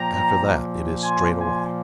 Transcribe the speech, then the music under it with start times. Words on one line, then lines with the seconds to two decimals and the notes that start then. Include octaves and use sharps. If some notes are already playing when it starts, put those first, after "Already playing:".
"After that it is straight away."
Already playing: A#2 F3 A#3 G5 A#5
1.02 G#5 C6
1.38 G#5 C6